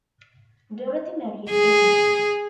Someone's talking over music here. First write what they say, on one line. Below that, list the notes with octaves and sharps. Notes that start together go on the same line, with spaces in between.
Dorothy married A.
G#4